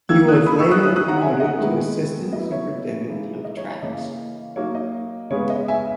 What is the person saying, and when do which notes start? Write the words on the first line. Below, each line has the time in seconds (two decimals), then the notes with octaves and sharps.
He was later promoted to assistant superintendent of tracks.
0.09 D#3 A#3 D#4 E6 G#6
0.28 D#6 F#6
0.46 B5 D#6
0.59 C#6 E6
0.71 D#6 F#6
0.83 F#3 C#4 E4 D#6 F#6
0.96 D#6 F#6
1.08 F#5 A#5
1.21 E5 G#5
1.40 D#5 F#5
1.58 D#3 G#3 B3 E4
2.32 F#3 B3 E4 D#5
2.51 C#5 E5
3.07 C#3 E3 G#3 D#4
3.45 D#5
3.57 C#5
3.70 D#5
3.82 C#3 E3 A#3 C#4 D#5
4.56 F#3 A#3 D#4 C#5
4.75 D#5
5.31 C#3 G#3 B3 C#5
5.50 D#5
5.68 E5 G#5